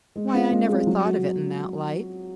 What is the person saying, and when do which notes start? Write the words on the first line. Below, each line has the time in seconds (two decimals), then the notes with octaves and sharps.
"Why, I never thought of it in that light."
0.16 G#3
0.33 C4 F4 G#4
0.51 G#3
0.69 C4 F4 G#4
0.87 F#3
1.05 F#4